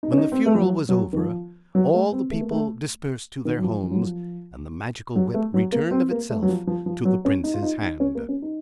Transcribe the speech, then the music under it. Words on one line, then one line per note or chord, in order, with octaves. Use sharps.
When the funeral was over all the people dispersed to their homes, and the Magical Whip returned of itself to the prince's hand.
D#4
C#4
D#4
C4
A3
F3
F#3
F#3
D#3
F3
F#3
A3
C4
A3
A#3
A3
D#3
F#3
F3
F3
F#3
F3
F#3
A3
F#3
A#3
C4
A#3
A3
F#3
F3
F3
F3
F#3
C#4
D#4
F4
D#4
D#4
C#4
A#3
C#4
D#4